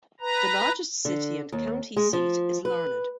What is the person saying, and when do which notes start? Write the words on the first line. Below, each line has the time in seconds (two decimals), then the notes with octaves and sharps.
The largest city and county seat is Larned.
0.20 B4 A#5
1.05 D3
1.52 D#2
1.96 G#3
2.13 F3
2.65 B4